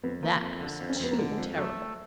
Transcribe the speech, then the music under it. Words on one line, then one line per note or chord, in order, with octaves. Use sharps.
That was too terrible!
F2 B3
F3 A#3
F2
D3
F2
C#4
C4
F2 B3
A#3
D3 A3
G#3
F2
F#3 A3